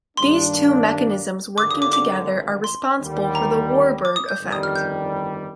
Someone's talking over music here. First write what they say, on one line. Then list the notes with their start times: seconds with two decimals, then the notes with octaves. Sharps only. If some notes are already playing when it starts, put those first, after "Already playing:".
These two mechanisms working together are responsible for the Warburg effect.
0.17 G2 D#3 G3 A#3 D4 C6
1.58 G#1 G2 D3 D6
1.71 D#6
1.82 D6
1.93 D6
2.64 C6
2.99 D#2 D3 G3
3.35 A#5
4.05 D6
4.16 D#6
4.29 G6
4.40 G1 F2 D#3 G3
4.52 D#6
4.63 F6
4.76 G6